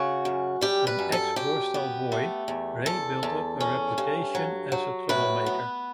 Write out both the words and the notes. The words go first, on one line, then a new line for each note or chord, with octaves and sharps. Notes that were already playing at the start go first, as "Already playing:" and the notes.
An ex-borstal boy, Ray built up a reputation as a troublemaker.
Already playing: C#3 F#4
F#2
G3 G4
B4
F#2
A4
F#2 G4
B3
A3
E2
E2 A4
E2
C#4
G2
F#3
F#3
A2 B4
B3